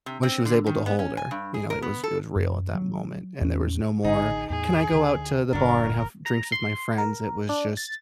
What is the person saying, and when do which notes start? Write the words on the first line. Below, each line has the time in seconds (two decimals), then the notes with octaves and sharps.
When she was able to hold her, you know, it was it was real at that moment. And there was no more, “Can I go out to the bar and have drinks with my friends?" It was just,
0.06 C3
0.23 C4
0.45 D3
0.66 D#3
0.86 B3
0.99 C#4
1.17 G#5
1.31 G2
1.54 G#4
1.70 A#4
1.82 B3
2.04 A4
2.35 F#2
2.75 F#3
3.41 E2 C#4
4.04 A1 D3 D#4 G#4
4.50 E2 A2 G#4
4.91 D2 D3
5.53 E1 G2 D3 D4 F#4 A#4
6.26 A#5
6.52 C6
6.98 A#4
7.49 D4
7.77 A6